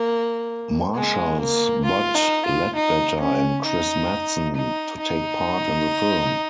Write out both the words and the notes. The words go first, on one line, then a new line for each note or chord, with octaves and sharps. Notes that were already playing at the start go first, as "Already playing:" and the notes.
Marshals Bud Ledbetter and Chris Madsen to take part in the film.
Already playing: A#3
G#3
A#3
F4
D#4
F4
D#4
C#4
D#4
D#4
D#4